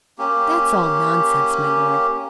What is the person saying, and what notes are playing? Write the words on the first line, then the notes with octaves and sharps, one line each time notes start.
"That's all nonsense, my lord."
A#3 C#4 G4